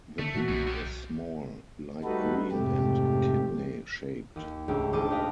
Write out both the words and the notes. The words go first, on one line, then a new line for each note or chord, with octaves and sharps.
The bean is small, light green, and kidney-shaped.
D3 A3
A#2 E3 F#4
B1 F#2
D#3 G4
G3 A3 D#4 F#4 A4 B4
F2 G#2 C3 A3 G4
D#2
C#2 G#2 A3 D4 G4
D#1 C5 A5 D6 D#7
G4 B4 D#5 F5